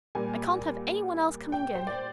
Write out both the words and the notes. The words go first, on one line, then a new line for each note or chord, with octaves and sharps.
I can't have any one else coming in.
A#2 G3 A#3 G#5
G5
C5
D5